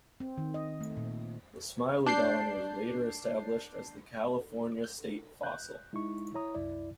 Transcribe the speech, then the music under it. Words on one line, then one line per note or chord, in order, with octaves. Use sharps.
The smilodon was later established as the California state fossil.
C4
D#3
D#5
A3
A#2
D4 G6 C7
F#6 G6
G#3 D#4 E4 C#6
E4 C#5 A#5 D#6
C2 F#2 E4 D5